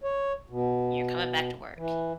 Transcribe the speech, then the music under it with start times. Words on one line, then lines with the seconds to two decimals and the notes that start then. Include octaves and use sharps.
You're coming back to work.
0.04 C#5
0.50 B2
1.77 E3